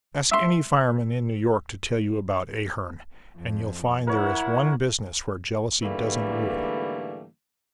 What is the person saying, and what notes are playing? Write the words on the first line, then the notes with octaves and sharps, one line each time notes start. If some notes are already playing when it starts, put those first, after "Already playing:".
Ask any fireman in New York to tell you about Ahearn, and you'll find there is one business where jealousy doesn't rule.
E5 C6
F2
E4 A#4 C#5 F#5
G#2 D3 E3 G3 A3 A#3